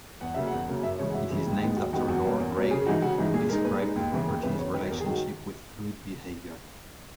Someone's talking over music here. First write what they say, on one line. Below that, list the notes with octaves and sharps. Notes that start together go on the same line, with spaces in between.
It is named after Lord Rayleigh, who described the property's relationship with fluid behaviour.
E2 F#5
C#3 F#3 A#3 E5
F#5
E2
C#3 F#3 A#3
F#2 E5
C#3 E3 G#3 C#5
F#5
F#2 E5
C#3 E3 G#3
D#2
D#3 G#3 B3
D#2 F#4
D#3 G#3 B3 F#4
E2 F#4
B2 F#3 A#3 C#4
E2
B2 F#3 A#3 C#4
C#3 G#4
E3 G#3 D#4 F#4
C#3 F#4
E3 G#3 D#4
A#2 G#4
G#3 D#4 A#4
A#2 B4
G#3 D#4
D#2
C#3 E3 B3
D#2 A#4
C#3 E3 B3 B4
E2 C#5
D#3 F#3 B4
E2 A#4
G#4
D#3 F#3 F#4